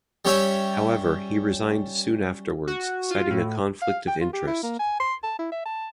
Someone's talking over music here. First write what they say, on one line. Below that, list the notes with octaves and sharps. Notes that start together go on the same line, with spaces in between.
However, he resigned soon afterwards, citing a conflict of interest.
G3 C#4 G4 C#5 E5
F#4
F4
A2
F5
G5
F4
G4
E4
A#3
G#5
C6
A5
E4
E5
A5